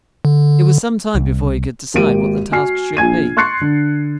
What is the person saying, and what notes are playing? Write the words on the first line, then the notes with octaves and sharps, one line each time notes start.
It was some time before he could decide what the task should be.
D3
C2
G#1 A#3 G4 D7 D#7
F#4 G#5 F6 C7
A#1 G#5 G#6 D#7
C6 C#6 F#6 A6 C7 C#7
D3